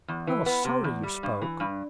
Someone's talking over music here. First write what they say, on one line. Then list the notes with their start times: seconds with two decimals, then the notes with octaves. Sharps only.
I was sorry you spoke.
0.08 E2
0.27 E3
0.46 B3
0.65 C3
0.84 E2
1.03 G3
1.23 G2
1.41 E3
1.60 G2